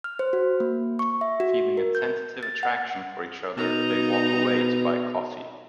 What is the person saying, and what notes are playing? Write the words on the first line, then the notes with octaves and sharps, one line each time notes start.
Feeling a tentative attraction for each other, they walk away to buy coffee.
F6
C5
F#4
A#3
C#6
E5
F#4
A#4
G6
A6
F#5
B2 D#4 A#5